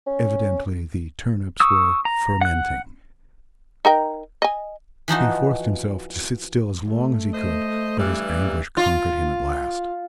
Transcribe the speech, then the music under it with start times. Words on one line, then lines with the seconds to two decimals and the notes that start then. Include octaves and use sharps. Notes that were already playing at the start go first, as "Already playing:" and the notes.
Evidently the turnips were "fermenting." He forced himself to sit still as long as he could, but his anguish conquered him at last.
0.07 C#4
1.60 C#6 D#6 E6
2.05 A#5
2.41 F#5 F#6
3.85 D#4 A#4 G5
4.42 D#5 G#5
5.08 E3 F3 D#4 F#4
6.85 A3
7.34 C5 D#5
7.99 G2 E3 G3
8.77 F4